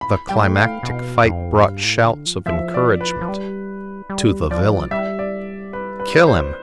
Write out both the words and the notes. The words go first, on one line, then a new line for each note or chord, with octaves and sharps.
The climactic fight brought shouts of encouragement--to the villain. "Kill him!"...
B5
G3 G5
A3
F5
B2
F2
E2
F2
G2
A2
D3
F3
F3 E5
D5
B4
F3
G3
G3
F3 D5
G3 E5
D5
B4
B4
C5